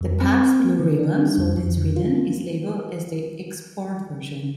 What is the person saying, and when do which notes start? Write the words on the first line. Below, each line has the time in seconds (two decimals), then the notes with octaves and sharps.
The Pabst Blue Ribbon sold in Sweden is labeled as the "export" version.
0.01 F2
0.21 C4
0.40 C4
0.60 A#3
0.79 D3
0.99 D4
1.19 G3
1.38 F2
1.57 F2
1.77 D3
1.96 F4
2.16 A#3